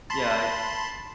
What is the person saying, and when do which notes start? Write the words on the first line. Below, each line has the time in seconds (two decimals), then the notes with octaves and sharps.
Yeah, I
0.10 A5 B5 C6